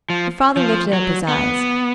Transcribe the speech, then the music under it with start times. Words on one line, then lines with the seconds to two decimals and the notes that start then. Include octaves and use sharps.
Her father lifted up his eyes.
0.10 F3
0.57 F3
0.93 F#3
1.28 B3